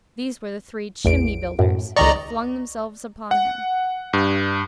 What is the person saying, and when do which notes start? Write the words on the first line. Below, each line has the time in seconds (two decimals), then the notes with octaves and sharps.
These were the three "chimney-builders," who had flung themselves upon him.
1.05 A1 E2 D7
1.59 F#2 A2
1.96 C#2 D#3 D5 D#5 A#5 C#6
3.31 F#5
4.13 G2